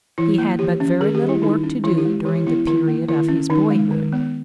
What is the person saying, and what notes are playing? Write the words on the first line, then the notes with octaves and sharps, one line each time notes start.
He had but very little work to do during the period of his boyhood.
E3 E4
A#3
E3 G4
C#4
D#3 G#4
G4
G3
E4
D#3 D#4
C#4
E3 E4
G4
G#3
E3 G4
E4
B3 E4
D#3 E4
A#3
D#3 E4
C#4
D#3 D#4
G#3
D#3
B3